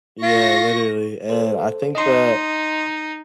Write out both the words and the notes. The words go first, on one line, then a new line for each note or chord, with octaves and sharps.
Yeah, literally, and I think that,
F4 C#6 A#6
A4 C5
D#4 D#5 C6